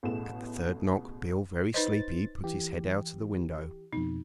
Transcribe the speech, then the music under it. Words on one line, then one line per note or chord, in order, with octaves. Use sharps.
At the third knock Beale, very sleepy, put his head out of the window.
A1 B2 A3 E4 G#4 E7
D#4 B4 C5 D#5 A6
E3 G4
F2 B2 D#4